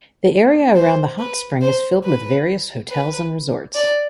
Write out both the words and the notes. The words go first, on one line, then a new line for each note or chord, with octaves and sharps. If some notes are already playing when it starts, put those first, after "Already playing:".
The area around the hot spring is filled with various hotels and resorts.
C5
B4
C5
B4
B4
D5